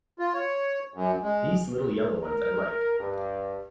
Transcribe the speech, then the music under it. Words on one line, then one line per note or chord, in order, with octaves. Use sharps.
These little yellow ones I like.
F4
C#5
F#2
G#3
A#4
G2